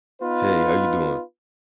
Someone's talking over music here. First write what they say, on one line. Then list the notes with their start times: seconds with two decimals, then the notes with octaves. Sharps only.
Hey, how you doing?
0.22 B3 D#4 F4 B4